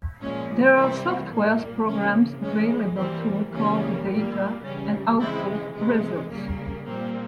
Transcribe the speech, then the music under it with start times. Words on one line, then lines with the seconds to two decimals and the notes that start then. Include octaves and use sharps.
There are software programs available to record the data and output results.
0.20 A#2 F3 G#3 C#4
0.76 C3 E3 G3 A#3 C4 E4
1.31 A#2 G3 A#3
1.87 C#3 E3 A#3 C#4
2.42 E3 G#3 C#4
2.97 E3 G3 A#3 C4
3.53 C#3 E3 G3 A#3 C#4
4.09 A#2 G3 A#3
4.64 C#3 E3 G3 C#4
5.19 C#3 E3 G#3 C4 E4
5.75 C3 E3 G#3
6.31 C#3 G3 A#3
6.86 A#2 G3 A#3 C4